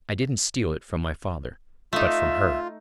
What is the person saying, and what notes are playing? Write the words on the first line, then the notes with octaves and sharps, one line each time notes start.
I didn't steal it from my father, but from her.
A3 D#4 F4 E5